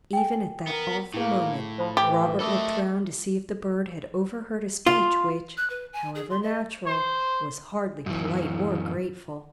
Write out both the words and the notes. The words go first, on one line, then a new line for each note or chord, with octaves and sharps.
Even at that awful moment Robert looked round to see if the bird had overheard a speech which, however natural, was hardly polite or grateful.
G5 G#5
B3 A#4
A2 A#3 E4 G#4
F3 C5 B5
E3 G4
A3 A4 A#4 D#5 B5 D6
F4
F#6
B4
G#5
G#4
C6
D#5
C5
F#2 E3